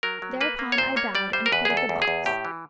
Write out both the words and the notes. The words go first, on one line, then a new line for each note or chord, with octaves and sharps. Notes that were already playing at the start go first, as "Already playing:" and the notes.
Thereupon I bowed and quitted the box.
F#3 A#4
F#3
A#3 B4
A#3
C#5
A#2 C5
A#3 C#5
G3 D5
G3 C5
A#4
E2 B4
G#4
E2
A4
E2
G#4
E2
A2 G4
E3